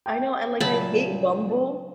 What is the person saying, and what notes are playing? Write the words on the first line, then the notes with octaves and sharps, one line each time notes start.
I know, and, like, I hate Bumble.
G5
A#2 C#3 F#3 E5 A5 B5